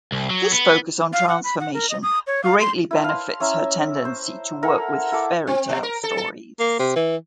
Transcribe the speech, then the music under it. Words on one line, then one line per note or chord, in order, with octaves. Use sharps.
This focus on transformation greatly benefits her tendency to work with fairytale stories.
C2
F#3
B3
F5
F#5
B5
F#5
A#4
D#5
D#6
C#5
F5
C6
E4 B4 A5
F5 C6
C#4 E4 E5 A#5
C5
E4 A4 A#4 F#5
E4 A4 D6
C4
B2
A#4
A4
A4
A#3
C3
E3